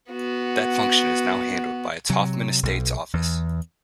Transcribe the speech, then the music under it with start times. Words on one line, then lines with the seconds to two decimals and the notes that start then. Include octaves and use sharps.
That function is now handled by its Hoffman Estates office.
0.10 B3 F#4
2.10 C3 F#3
2.63 B1
3.13 E2